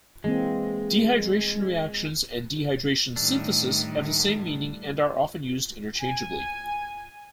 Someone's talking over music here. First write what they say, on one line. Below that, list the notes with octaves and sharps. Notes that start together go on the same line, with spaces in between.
Dehydration reactions and dehydration synthesis have the same meaning, and are often used interchangeably.
E3 G#3 A#3 C4
A2 D#3 G3 A3 D4
G#5